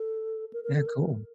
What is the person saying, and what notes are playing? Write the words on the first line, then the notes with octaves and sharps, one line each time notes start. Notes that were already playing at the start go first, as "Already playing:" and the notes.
Yeah, cool.
Already playing: A4
A#4
A#4
A4
A#4